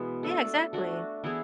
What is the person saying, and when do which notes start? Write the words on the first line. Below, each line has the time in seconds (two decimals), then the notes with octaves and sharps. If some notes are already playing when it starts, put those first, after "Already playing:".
Yeah, exactly.
Already playing: B2 E3 G#3 B3
0.23 A3 D4 A4
0.73 A3 D4 F#4
1.24 E3 B3 E4 G#4